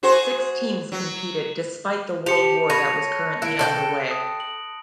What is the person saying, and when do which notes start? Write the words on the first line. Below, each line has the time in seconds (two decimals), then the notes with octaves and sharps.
Six teams competed despite the World War that was currently under way.
0.03 F#4 G#4 C5
0.92 F#3
2.26 G4 A5 C#7 F7
2.70 C#5 B5 A#6 D#7
3.42 E4 F#6 D7
3.59 A4 D5 G5
4.11 D#6
4.40 F#7